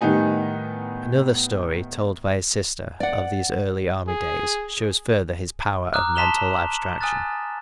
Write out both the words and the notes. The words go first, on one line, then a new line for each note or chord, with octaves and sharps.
Another story told by his sister, of these early army days, shows further his power of mental abstraction.
A2 D#3 G3 B3 D#4 G#5
D5 F#5
G#4
A#5 D6 D#6 F6 F#6
A5 C6 B6 E7 F7 G7
G#5 D#6 F6 F#6 A6